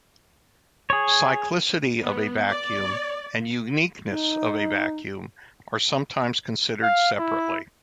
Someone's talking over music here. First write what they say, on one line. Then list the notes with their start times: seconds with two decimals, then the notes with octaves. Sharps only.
Cyclicity of a vacuum, and uniqueness of a vacuum are sometimes considered separately.
0.90 G#4 C#5
2.01 B3
2.50 D5
4.09 D#4
6.83 F5
7.19 E4